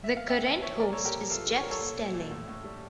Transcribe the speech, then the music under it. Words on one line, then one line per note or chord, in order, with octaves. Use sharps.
The current host is Jeff Stelling.
E5
F5
C#3 E5 G5
F3 E5 G5
F3 C#5 E5
A#2 A#4 D5
A#2 A4 C#5
G4 A#4
F3
E3 F4 A4
G3
C#5
G3 A#4
A4 C#5
A#2
A#2
A#2
A2
A2
G3